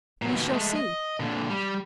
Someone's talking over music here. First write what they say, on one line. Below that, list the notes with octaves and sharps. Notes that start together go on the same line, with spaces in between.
"We shall see."
A#2 F#3
D#2 B2
G#3 A3
D#5
A#2 D3
G3